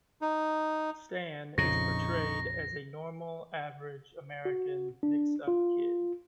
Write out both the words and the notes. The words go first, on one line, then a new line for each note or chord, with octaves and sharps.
Stan is portrayed as "a normal, average, American, mixed-up kid".
D#4
A#1 F2 C#3 D#4 C#6 A#6
F#4
D4
F4